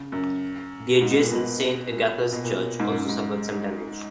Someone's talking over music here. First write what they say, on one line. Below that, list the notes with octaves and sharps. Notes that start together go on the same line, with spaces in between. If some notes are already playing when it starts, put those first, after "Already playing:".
The adjacent Saint Agatha's Church also suffered some damage.
Already playing: C#3
F#2
G#2
B2
A#2
B2
A#2
A#2
B2
A#2
G#2
F#2
G#2
G#2